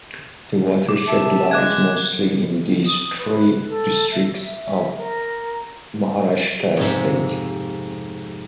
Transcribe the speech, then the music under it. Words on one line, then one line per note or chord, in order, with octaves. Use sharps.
The watershed lies mostly in these three districts of Maharashtra state.
D6
C3 E5 A5
G#3 D6 F#6 G#6
D#6
B4
A4
E5
E5
A#4
F2 G#2 C3